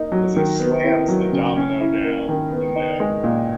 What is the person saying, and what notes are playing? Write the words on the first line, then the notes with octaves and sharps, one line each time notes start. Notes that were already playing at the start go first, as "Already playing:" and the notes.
as he slams the domino down in there.
Already playing: A#3 D#4
F#3
D#3
B3
E4
F#3
C#3
C#4
E4
A#3
D#3
B3
D#4
G#3
A#2